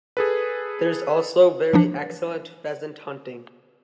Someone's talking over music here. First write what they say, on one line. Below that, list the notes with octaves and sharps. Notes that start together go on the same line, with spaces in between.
There is also very excellent pheasant hunting.
G#4 A4 B4
E3 F3 D4